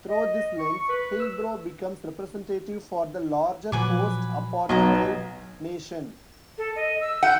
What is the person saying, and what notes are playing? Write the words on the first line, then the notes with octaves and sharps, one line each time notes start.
Through this lens, Hillbrow becomes representative for the larger post-apartheid nation.
D#5
C#6
B4
E6
A#2 F3 F#3 B4 G#5 D6
B1 F#3 B3 D#5 G#5 A#5
A4
D#5
E6
F#5 G6